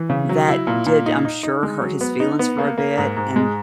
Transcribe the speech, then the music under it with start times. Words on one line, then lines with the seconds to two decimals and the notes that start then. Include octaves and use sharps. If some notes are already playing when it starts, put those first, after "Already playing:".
that did I'm sure, hurt his feelings for a bit and
Already playing: E3
0.10 C#3
0.29 F#3
0.48 E4
0.67 A#2
0.86 A#2
1.06 D#4
1.25 D#4
1.43 D#4
1.63 G#3
1.82 F#3
2.01 B3
2.20 D#4
2.39 B3
2.58 A#3
2.78 A#3
2.98 G#2
3.17 G#2
3.36 G#3